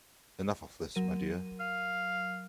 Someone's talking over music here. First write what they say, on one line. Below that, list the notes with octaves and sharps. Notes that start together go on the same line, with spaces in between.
Enough of this, my dear!
F#3 A#4 D#7
F5